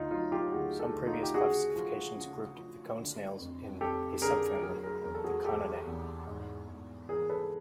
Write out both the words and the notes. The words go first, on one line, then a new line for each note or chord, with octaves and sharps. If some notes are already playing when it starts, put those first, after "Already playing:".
Some previous classifications grouped the cone snails in a subfamily, the Coninae.
Already playing: D2 D#4 F4
F#3 D#4 F4
F4 G4
D2 F#4 G#4
G4 A4
D2
D#4 F4
G4
C#3 F#4 G#4
F3
C#3
F3
D3
F2
F2 G4 A4
D3 G#4 A#4
F#3 G#4 A#4
G#4 A#4
E2 A#4
A4
F#4 G#4
E2 G4 A4
E2
G#2
G#2
E3 G#4 A#4
A4 B4